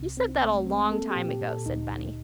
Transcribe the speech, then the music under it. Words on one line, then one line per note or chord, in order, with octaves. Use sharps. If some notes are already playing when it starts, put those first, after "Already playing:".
"You said that a long time ago," said Benny.
Already playing: C2 C3
C4
A3
C4
A#3 A4
G4
A#2
G4
A#2
A4
D2 D#4
D2